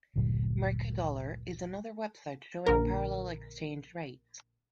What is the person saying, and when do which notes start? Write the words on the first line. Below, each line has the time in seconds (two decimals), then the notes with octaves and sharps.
Mercadolar is another website showing parallel exchange rates.
0.16 G1 D2 A#2 F#3
2.66 A#1 D3 A#4